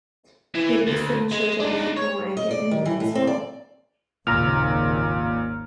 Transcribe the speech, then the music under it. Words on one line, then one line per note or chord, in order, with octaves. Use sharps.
He listened to Jamaican reggae and dancehall.
E3
D2
G#3
D4 D#4
C#5
D#5
D5
D#3
E3
A2
C4
D5
G#1 D#2 A#2 C#3 A#5 F6